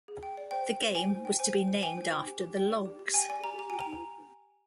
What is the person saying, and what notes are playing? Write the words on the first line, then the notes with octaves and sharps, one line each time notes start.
The game was to be named after the Logs.
G#4
G5
D5
C5 G5
G5
C5
G5 G#5
C5
G5
C5 G#5
G5
C5
G5 G#5
C5
G5
G4
G4
G5
D5
G4
G4
G5 G#5
D5 G#5
G4 A#5
G4 A#5
G5 G#5
A#5